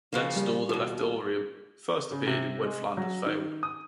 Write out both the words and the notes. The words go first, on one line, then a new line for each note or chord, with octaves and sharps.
Ned's store "The Leftorium" first appeared in "When Flanders Failed".
C#3 F3 A#3
G3
D#2 B2 F4
C#3
C3
G#3
F#3
D#3
D#6